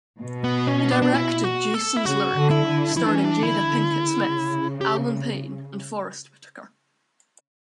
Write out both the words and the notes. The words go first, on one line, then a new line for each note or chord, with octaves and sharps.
He directed "Jason's Lyric" starring Jada Pinkett Smith, Allen Payne, and Forest Whitaker.
B2
B3
C#4
D4
D4
E4
F#4
A4
E4
C#3 F#4
D3
E4
D3
E3 E4
D4
C#4
D4
D3 E4
C#3
G4